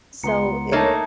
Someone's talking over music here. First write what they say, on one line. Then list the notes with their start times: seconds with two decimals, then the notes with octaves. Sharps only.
So it
0.23 C#2 B3 A#5 C6 C#7
0.72 A3 A#3 D#4 A#4 C#5 A5 A#5 G#6